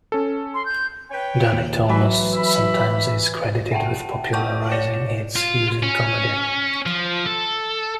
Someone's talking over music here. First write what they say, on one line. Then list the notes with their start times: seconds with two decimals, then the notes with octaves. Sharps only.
Danny Thomas sometimes is credited with popularizing its use in comedy.
0.12 C#4 A4
0.54 C6
0.65 G6
1.11 B4 C#5 G5
1.53 D#2 A#2
1.89 E3 F#3 B4 E5
2.34 E5 B5
3.71 E5 F#5 G5 A5
4.33 F#5 G5 A5 C#6 D6 G6
4.71 C#5 D5 D6 C#7 E7
5.36 F4
5.83 C#4
6.86 F3
7.26 A4